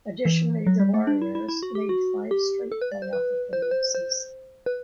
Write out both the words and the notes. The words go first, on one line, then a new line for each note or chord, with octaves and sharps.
Additionally, the Warriors made five straight playoff appearances.
E3
F#3
G3
A3
D4
E4
E4
E4
F#4
G4
F#4
G4
A4
B4
D5
C5
B4
C5
B4
C5
C5
B4